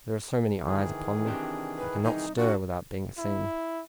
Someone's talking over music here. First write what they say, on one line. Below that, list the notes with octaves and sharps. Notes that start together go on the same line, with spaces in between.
"There are so many eyes upon me, I cannot stir without being seen."
D2 D#3 E3 G#4
C3 D4 G4
B4
C2 D#4
D4 F#4
E4